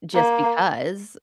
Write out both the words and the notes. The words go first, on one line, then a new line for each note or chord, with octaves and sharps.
just because.
A#3